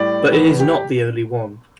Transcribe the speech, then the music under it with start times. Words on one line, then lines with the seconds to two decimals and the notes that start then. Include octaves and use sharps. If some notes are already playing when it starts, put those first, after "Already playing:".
But it is not the only one.
Already playing: A2 G3 D5
0.32 E2 B4
0.60 G4